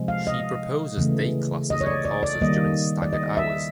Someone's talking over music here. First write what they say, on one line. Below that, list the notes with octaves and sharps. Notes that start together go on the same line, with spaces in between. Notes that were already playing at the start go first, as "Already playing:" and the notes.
She proposes day classes and courses during staggered hours.
Already playing: C3 F3 G#3
F5
D#5
C#3 E3 A3
D#5
C#5
D5
D5
D5
D#3 G3 A#3 D#5
D5
D#5
E5